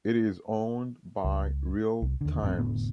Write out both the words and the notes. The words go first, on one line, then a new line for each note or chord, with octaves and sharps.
It is owned by Real Times.
C#2
C2
D#2 D3
A1 F2 A3 C4
F1 A2 D3 B3